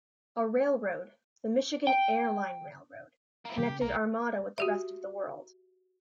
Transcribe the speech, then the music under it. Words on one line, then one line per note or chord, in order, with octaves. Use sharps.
A railroad, the Michigan Air-Line Railroad, connected Armada with the rest of the world.
G5
A#3 E4
C3 E3 G3 G4
C#3
B1 A#3 A#4
F#4 G4 E5